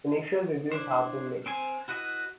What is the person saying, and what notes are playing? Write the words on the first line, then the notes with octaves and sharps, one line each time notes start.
Initial reviews have been mixed.
D4 E4 C5
C4 C5 G#5
E4 F#4 B4 D#5